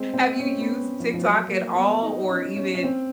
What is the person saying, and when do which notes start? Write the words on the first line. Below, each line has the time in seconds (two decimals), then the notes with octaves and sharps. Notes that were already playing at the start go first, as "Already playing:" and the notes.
have you used TikTok at all or even,
Already playing: G#3 C4
0.13 C4
0.39 C#4
0.61 B3
1.00 F3
1.14 F3
1.21 F#3
1.47 A#3
1.75 B3
2.02 D#4
2.29 C#4
2.56 C#4
2.75 C#4
2.83 C4